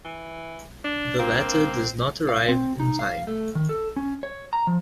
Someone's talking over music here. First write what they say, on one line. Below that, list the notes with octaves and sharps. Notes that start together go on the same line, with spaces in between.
The letter does not arrive in time.
E3
D4
G2 A#3 C4
F5
C4
D#4
F5
A3
D#3
A4
C#4
C#5
A#5
F3